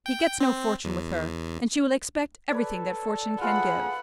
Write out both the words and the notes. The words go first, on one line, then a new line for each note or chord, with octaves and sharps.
He gets no fortune with her, and she will expect everything that fortune can give.
G5
C4
E2
A4 B4 C#5 D5
F4 G#4 A4 B4 F#5 B5